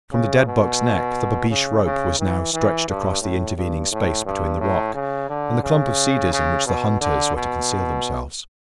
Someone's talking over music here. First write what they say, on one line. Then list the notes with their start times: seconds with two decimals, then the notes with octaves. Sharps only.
From the dead buck's neck the babeesh rope was now stretched across the intervening space between the rock and the clump of cedars in which the hunters were to conceal themselves.
0.13 C#3
0.46 B2
1.50 C#3
1.85 C#3
2.19 E3
2.54 E3
2.88 G2
3.22 A2
3.57 G2
3.92 A2
4.25 G2
4.61 A2
4.95 C#3
5.29 D3
5.63 C#3
6.33 C#3
6.66 B2
7.01 D3
7.36 B2